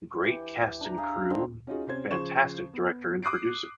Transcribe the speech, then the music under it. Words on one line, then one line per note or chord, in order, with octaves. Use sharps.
Great cast and crew, fantastic director and producer.
E3 G4
D4 A#5
G4 G#4 E5 F5
D3 D#3 C4
C#4 D#4 F4 F#4 G#4
C3 C#4 C5 G#6
C#3 F3 C5 C#6 G#6 E7
B3
D6 D#6 F#6 C7 D7